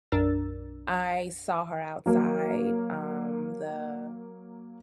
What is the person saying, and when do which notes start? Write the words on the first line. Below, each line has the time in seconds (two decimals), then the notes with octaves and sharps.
I saw her outside, um, the
0.12 B1 F#2 D4 A#4 E6 A6
2.06 F#3 A#3 A#4